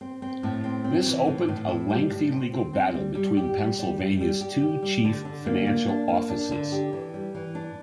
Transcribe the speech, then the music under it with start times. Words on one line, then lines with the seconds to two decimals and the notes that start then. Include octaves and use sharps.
This opened a lengthy legal battle between Pennsylvania's two chief financial offices.
0.01 C4
0.22 C4
0.43 A2
0.64 C4
0.84 C4
1.06 E3
1.27 A2
1.48 A2
1.68 E4
1.90 G3
2.11 A2
2.32 C4
2.53 C4
2.73 C4
2.94 G3
3.15 G3
3.37 G4
3.58 G3
3.79 G3
4.00 G3
4.21 G3
4.41 G4
4.62 G4
4.82 G3
5.04 D3
5.25 D3
5.46 A#3
5.67 A#3
5.88 D4
6.08 A#3
6.30 D4
6.51 D3
6.72 G4
6.93 E3
7.14 G3
7.35 E3
7.55 D4